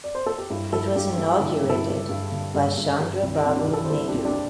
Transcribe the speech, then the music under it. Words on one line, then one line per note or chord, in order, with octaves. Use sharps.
It was inaugurated by Chandrababu Naidu.
D5
C5
A4
G4
G2 E4
G2 E4 A4
G2 D4 G4
G3 E4
E4
D3
G2
E4 A4
G3
G2
D3
G2
G2
G2
C2 E4
E4
C3
D4 G4
C2
E4 A4
C5
G3 E4 A4
D4 G4
C2
D4 G4